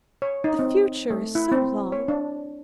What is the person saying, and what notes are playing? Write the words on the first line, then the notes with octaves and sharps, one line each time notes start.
The future is so long.
C#5
D#4
C4
A3
E4
C4
C#5
D4